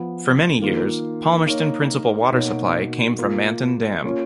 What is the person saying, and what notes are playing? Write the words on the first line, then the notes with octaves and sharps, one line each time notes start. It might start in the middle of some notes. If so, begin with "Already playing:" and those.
For many years, Palmerston principal water supply came from Manton Dam.
Already playing: F3 B3 F4
D#3 A#3 F4
A#3 D#4 A#4 C#5
B2 A#3 D#4 F#4 C#5
A#3 F4 A#4
A#3 C#4 F4